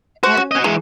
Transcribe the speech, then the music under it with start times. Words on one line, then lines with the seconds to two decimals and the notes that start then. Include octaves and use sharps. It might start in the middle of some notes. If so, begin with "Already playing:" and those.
And so
0.23 F#4 C5
0.37 C#4
0.51 F#4 D#5
0.64 E3 G#3 G#4 A#5